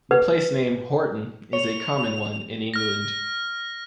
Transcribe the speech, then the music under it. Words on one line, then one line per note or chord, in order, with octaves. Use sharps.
The place-name "Horton" is a common one in England.
B4
C#5 F7
F6 A#6